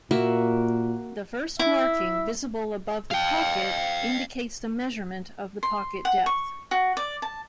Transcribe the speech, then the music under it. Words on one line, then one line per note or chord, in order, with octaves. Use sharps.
The first marking visible above the pocket indicates the measurement of the pocket depth.
A#2 A#3 F#4 E5
E4 E5
F5 G5
C6
F#5
C#6
F#4
D5
A5